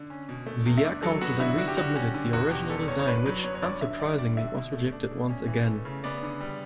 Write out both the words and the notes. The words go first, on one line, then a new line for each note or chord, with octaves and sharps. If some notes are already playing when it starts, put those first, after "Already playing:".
The Air Council then re-submitted the original design which, unsurprisingly, was rejected once again.
Already playing: D3
C#4
B2
A3
E2
E5
D3 D5
F#3 A4
B3 F#4
D3 E4
D3 F#4
G4
G3 F#4
C#4
D3
E2 F#4
B2 G4
G3 A4
E2 C#5
C#5
D4 B4
F#3 B4
B3 C#5
C#5
G2 D5
D3 E5
G3 D5
D4 D5
D3 E5
B2
A3
D4
B2
C#4
E3
A3
C#3
B3 D5
D3
G3